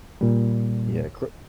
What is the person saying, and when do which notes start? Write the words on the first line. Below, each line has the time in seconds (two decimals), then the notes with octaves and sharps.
Yeah, cro
0.21 A#2 G3